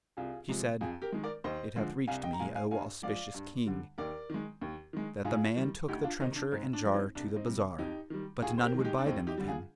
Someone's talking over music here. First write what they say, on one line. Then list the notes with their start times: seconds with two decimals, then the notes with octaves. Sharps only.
She said, It hath reached me, O auspicious King, that the man took the trencher and jar to the bazar, but none would buy them of him.
0.17 C2 F4 G#4
0.49 C3 F3 G#3
0.81 F2 F4 G#4
1.02 G4 A#4
1.12 D#3 G#3
1.23 A#4 D5
1.44 D#2 C5 D#5
1.76 D3 F3 G#3
2.07 C2 F5 G#5
2.23 D#5 G5
2.33 A#5
2.40 A#2 G#3 F5 G#5
2.55 F5 G#5
2.71 G2 F5 G#5
3.03 F3 G#3 D5 F5
3.34 G2
3.66 D3 G3
3.98 D#2 A#4 D5
4.30 D#3 G#3
4.61 D#2
4.93 D#3 G#3
5.25 G#2 F4 G#4
5.57 D#3 G3
5.88 D2 D#4 G4
6.04 D4 F4
6.20 C3 D#3 C4 D#4
6.36 D4
6.52 G#2 C4
6.73 D4
6.84 F3 G#3
6.94 C4 D#4
7.15 C2 D4
7.36 C4 D#4
7.47 C3 G3
7.79 F2 D#4 G4
8.10 D#3 G3
8.42 D#2 F4 G#4
8.58 C5
8.63 G4 A#4
8.74 D#3
8.79 G#3
8.85 D#4 G4
8.98 D4
9.06 D#2 C4 D#4
9.27 D#4 G4
9.38 D3 G3
9.48 F4 G#4